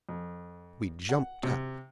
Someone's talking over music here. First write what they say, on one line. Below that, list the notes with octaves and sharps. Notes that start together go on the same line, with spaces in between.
We jumped up.
F2
F#5
C3